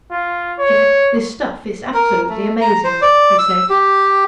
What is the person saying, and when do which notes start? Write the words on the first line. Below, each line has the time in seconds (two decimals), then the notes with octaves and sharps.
"Jack, this stuff is absolutely amazing," he said.
0.11 F4
0.59 C#5
1.94 A#4
2.29 A3
2.61 A#5
2.84 C5
3.01 D5
3.38 E6
3.69 G4